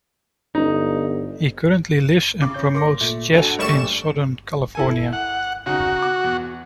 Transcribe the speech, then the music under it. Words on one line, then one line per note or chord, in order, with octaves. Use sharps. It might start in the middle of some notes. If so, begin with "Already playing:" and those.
He currently lives and promotes chess in Southern California.
G1 D#4
C#3 D6
C#5 G6
A#3 C6 D6 A#6
A#2 A3
G#1 D4 F#4 A4 G#5 F7
A#1 G3 A3 A#3 D5 C#6 E7
E4 A4 G#5
F#5
C#3 D#4 F#4
D6
E2